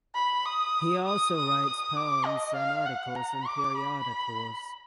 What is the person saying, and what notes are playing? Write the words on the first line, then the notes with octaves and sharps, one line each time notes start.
He also writes poems and articles in periodicals.
B5
D#6
D#6
D#6
D#6
D6
D#5
F5
F#5
A#5
D6
B5